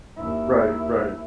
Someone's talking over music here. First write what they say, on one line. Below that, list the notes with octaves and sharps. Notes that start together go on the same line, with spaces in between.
Right, right.
D#2 E4